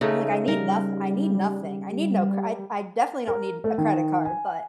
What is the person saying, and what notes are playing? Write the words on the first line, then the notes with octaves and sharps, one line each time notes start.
I'm, like, "I need noth I need nothing. I need no cr I'd I definitely don't need a credit card," but
C#3 A3 D#4
G3 A#4
A#4
A3
D#3
G#5